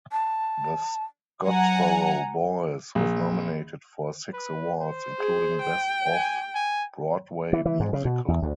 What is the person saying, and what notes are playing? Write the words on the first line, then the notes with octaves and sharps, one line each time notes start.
"The Scottsboro Boys" was nominated for six awards, including Best Off-Broadway musical.
A5
F#3 F#5 G#5 A#5
A#1
B4
C5
G#4
G5
G#5
G#5
E3
E3
G#2
C#3
B2
E2
D2